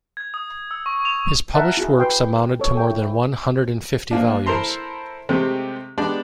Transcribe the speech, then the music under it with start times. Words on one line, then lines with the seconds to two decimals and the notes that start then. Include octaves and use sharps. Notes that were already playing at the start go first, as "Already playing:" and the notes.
His published works amounted to more than one hundred and fifty volumes.
0.17 G#6
0.34 D#6
0.71 E6
0.86 C#6
1.05 F7
1.54 A#4 E5 F#5 A5
1.77 E4 F#4 G#4
1.99 B4 G5 C6
2.60 A4 C#5
2.75 A4 G5
2.91 E4
4.11 F3 A#3 D4
4.46 E4 A4 A#4 C5 A#5 C6
5.29 C3 G#3 A3 C4 G4
5.98 G#3 B3 D4 G4 D5